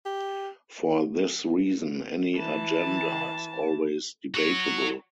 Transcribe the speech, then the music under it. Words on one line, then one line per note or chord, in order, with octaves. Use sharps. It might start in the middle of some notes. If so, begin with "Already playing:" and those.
For this reason, any agenda is always debatable.
G4
E3 A5
F#4 C#5